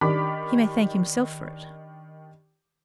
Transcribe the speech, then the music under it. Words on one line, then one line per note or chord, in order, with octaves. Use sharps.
"He may thank himself for it."
D#3 D4 G4 B5 D6 B6